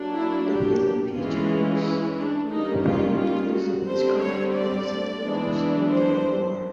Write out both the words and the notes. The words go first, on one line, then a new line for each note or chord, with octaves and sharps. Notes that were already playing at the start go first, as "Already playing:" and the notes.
The film features Edmond O'Brien, Lizabeth Scott, Alexander Knox and Terry Moore.
Already playing: F#3 A#3 D4
E4
G4
E3 G#3 C#4 F4
E4
D4
D#3 G3 A#3 C#4 D#4
F4
F4
F#4
D3 G3 C4 C5
C#5
D5
E3 G#3 B3 D4
C5